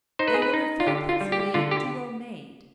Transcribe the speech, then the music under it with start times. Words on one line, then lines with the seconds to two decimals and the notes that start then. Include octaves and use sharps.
"They will refer principally to your maid."
0.19 D#4 C5
0.28 B4
0.34 G#4
0.42 B4
0.54 D#4
0.80 F4
0.86 D3 G4
1.09 F4
1.21 G3
1.32 G4
1.54 D3 F4
1.71 G4